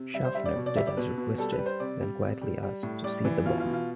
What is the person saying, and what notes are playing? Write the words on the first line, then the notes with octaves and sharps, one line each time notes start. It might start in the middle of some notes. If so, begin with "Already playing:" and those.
Schaffner did as requested, then quietly asked to see the bomb.
Already playing: C3
G3 E5
C5
G3 E5
D5
B2
D5
G3 E5
D5
B2 B4
B2
G3 A4
B4
G3
C5
C3 D5
G3
C3
G3
G3
A2
G3 D5
E3
B2 F4
F4
B2
F4